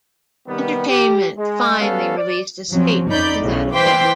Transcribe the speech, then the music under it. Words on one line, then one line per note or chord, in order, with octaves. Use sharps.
Entertainment finally released a statement to that effect.
C3 D#3 G3 B3
G4
G#3
G3 B3 C#4 A4 F5
D5
F3 F#3 C4 C#4
F2 C#4 D#4 D5 B5 G6
B1 A2 C#3
E3 C5 G5 C6 D6 B6